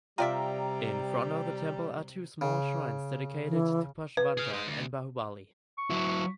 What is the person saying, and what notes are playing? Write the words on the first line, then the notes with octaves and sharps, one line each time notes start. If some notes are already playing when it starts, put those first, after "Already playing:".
In front of the temple are two small shrines dedicated to Parshvanatha and Bahubali.
C3 G3 F4 D5 E5 G5 A#5
C#3
E3
B4
G#4 F5
G#3 D#4
D2
C#6
F#3 E4